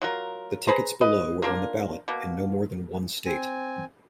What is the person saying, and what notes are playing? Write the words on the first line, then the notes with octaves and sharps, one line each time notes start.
The tickets below were on the ballot in no more than one state.
F#3 F4 A#4
G#4 B4 C5 A#5
B4 D#5
A#3 D4 F4 A#4
B2 A#3
C4 G#5